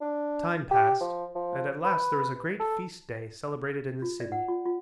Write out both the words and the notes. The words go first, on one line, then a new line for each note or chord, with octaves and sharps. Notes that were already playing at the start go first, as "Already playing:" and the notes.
Time passed and at last there was a great feast day celebrated in the city.
D4
G4
F3
F3
B4
A4
F4
D5
F#5
F4
F4